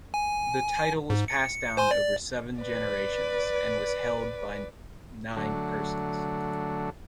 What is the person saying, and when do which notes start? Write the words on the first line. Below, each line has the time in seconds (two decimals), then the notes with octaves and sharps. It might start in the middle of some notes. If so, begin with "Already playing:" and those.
The title was passed down over seven generations and was held by nine persons.
0.14 G#5
1.10 G#2
1.28 C#7
1.77 C5 G#5 C6
1.91 D5
2.61 B4 D5
5.36 D3 F#3 A3